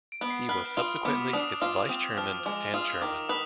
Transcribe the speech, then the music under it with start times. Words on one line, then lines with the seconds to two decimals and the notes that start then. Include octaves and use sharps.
He was subsequently its Vice-Chairman and Chairman.
0.12 D7
0.21 B3
0.30 C7
0.49 B4 F6
0.77 F4 D#6
1.05 B3 D6
1.33 D4 D#6
1.61 F4 D6
1.89 C4 D#6
2.17 F3 F6
2.46 G#3 D6
2.74 F4 D#6
3.02 D#3 D6
3.29 B4 D#6